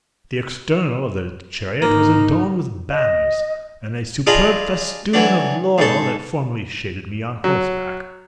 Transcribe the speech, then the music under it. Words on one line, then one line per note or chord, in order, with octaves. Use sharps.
The external of the chariot was adorned with banners, and a superb festoon of laurel that formerly shaded me on horseback.
G#2 A#3 D#4 A#4
D#5
D4 F4 G#4 D#5 B5
E3 F#3 D4
G#2 A4
F#3